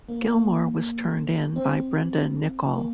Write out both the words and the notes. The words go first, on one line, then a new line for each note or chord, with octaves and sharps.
Gilmore was turned in by Brenda Nicol.
A#3
A#3
C4
A#3